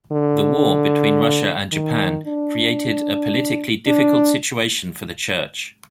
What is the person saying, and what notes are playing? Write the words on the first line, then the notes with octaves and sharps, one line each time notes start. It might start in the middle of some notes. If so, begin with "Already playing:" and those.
The war between Russia and Japan created a politically difficult situation for the church.
D3
D#3
D4
D4